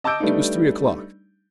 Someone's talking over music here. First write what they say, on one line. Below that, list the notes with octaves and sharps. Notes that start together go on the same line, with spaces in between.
It was three o'clock.
D#5 A5 D6 E6 G6 D7
G3 A3 B3 D4 D#4